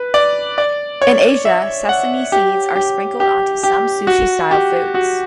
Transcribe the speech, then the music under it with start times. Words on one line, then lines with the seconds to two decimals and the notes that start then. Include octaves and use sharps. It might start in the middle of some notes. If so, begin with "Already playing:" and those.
In Asia, sesame seeds are sprinkled onto some sushi-style foods.
Already playing: B4
0.14 D5
0.58 D5
1.02 C#5
1.45 E5
1.89 F#5
2.32 G4
2.76 G4
3.20 G4
3.63 G4
4.07 F#4
4.51 G4
4.94 F#4